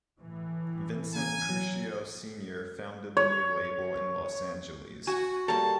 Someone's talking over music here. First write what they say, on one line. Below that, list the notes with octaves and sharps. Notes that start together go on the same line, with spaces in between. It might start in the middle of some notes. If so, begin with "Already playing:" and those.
Vincent Puccio Senior founded the new label in Los Angeles.
A2 E3
A#3 G#5
F#3
C#5
F#4 G#5
G3 A#3 A4 C#5 A5 A#5